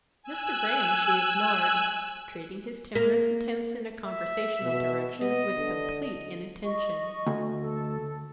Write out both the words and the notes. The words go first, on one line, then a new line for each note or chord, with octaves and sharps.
Mr. Graham she ignored, treating his timorous attempts in a conversational direction with complete inattention.
G#5 E6 F#6
A#3
E5
B2
B3 D#5
D3
D#5 C#6
D2
A4